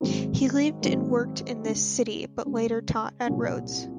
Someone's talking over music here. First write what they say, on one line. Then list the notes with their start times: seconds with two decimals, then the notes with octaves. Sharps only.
He lived and worked in this city but later taught at Rhodes.
0.01 G#2 D#3 F#3 C4 D#4
0.82 G#2 D#3 F#3 C4 D#4
1.64 C#3 G#3 C#4
2.46 C#3 G#3 C#4
3.27 C2 A#2 F#3 C#4